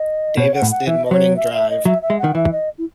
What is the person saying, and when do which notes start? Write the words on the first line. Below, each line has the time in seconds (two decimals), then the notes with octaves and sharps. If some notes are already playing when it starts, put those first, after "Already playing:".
Davis did morning drive.
Already playing: D#5
0.37 B2 C#5
0.54 F#5
0.62 A2
0.71 F#5
0.87 E3 E5
1.05 D#5
1.11 F#3 C#5
1.36 E5
1.53 E5
1.70 D#5
1.85 F#3 E5
2.02 E5
2.10 G#3
2.19 F#5
2.24 D#3
2.35 E3 E5
2.52 D#5
2.78 E4